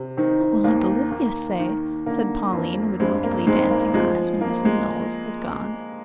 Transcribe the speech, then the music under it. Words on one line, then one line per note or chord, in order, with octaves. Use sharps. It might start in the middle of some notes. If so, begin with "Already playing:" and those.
"What will Aunt Olivia say!" said Pauline with wickedly dancing eyes when Mrs. Knowles had gone.
Already playing: C3
D#3 C4 D#4
D#2 A#3
D#3 A#3
D#3
D3 A#3
F2
G2 G#3 C4
A#3
D#3 G#3 C4
A#3
F3 G#3 C4
F3 A#3
G#3